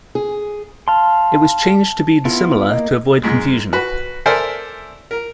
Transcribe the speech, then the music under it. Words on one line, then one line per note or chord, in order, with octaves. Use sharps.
It was changed to be dissimilar to avoid confusion.
G#4
F5 A5 C6
B3 E4 F4
A#3 D#5
F#2 G#3
F#4 B4
A4 A#4 C5 D5 E5 G#5
A#4